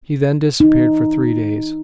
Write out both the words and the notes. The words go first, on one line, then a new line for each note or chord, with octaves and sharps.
He then disappeared for three days.
D#4